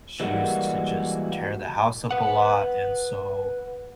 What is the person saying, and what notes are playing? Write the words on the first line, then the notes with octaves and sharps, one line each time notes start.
she used to just tear the house up a lot, and so
E3 G3 G#3 A#3 F#4
B4 F#5